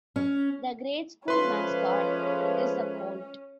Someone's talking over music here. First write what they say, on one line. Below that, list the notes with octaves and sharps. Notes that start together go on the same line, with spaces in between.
The grade school mascot is the Colt.
C#4
F3 G#3 A3 C#4 B4 C6